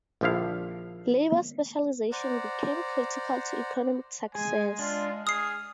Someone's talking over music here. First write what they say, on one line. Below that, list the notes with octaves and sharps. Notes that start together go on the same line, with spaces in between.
Labour specialization became critical to economic success.
A#1 D3 F3 E4 F5
C5 D5 F#5 A#5
G#3 G#4 G#5
D4 F4
G#4 D#6 F6 C7